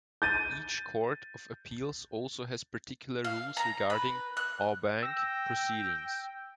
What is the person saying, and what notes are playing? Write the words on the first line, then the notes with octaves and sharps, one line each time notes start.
Each court of appeals also has particular rules regarding "en banc" proceedings.
G6 A6 D#7
F5
A#5
B4
F#6
G5 E6 A#6